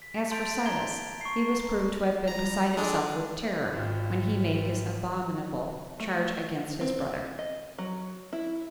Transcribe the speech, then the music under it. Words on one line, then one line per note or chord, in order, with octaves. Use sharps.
As for Silas, he was proved to have been beside himself with terror when he made his abominable charge against his brother.
B6
A5 C6 G6 A6 D7 F7
A#5 C6 G#6 G7
C#6 C7
G#3
G3 A#5
G#3 D4 A4
G#1 F4
A3
C4
D#5
F#3
E4